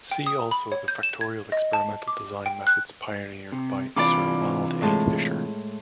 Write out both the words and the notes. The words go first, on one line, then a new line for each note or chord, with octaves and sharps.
See also the factorial experimental design methods pioneered by Sir Ronald A. Fisher.
G5
D#6
B5
C#5
G6
E7
G#6
D#5
A5
D6
G5
F#6
C3
C3 E3 F4 D5 B5 D6
A2 G#3 A5